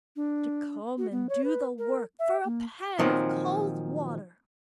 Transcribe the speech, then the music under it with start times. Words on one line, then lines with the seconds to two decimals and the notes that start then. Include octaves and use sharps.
To come and do the work for a pan of cold water!
0.16 D4
0.98 F#4
1.12 B3
1.29 C#5
1.44 B4
1.78 A#4
2.19 E5
2.45 A#3
2.99 A#2 D#3 F3 F#3 C4